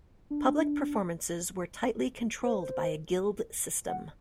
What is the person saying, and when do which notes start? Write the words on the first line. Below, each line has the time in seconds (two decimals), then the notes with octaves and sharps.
Public performances were tightly controlled by a guild system.
0.30 D4
2.45 C5
3.88 F#5